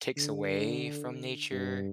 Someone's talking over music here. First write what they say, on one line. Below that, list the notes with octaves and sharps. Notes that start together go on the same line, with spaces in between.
takes away from nature?
D3
G2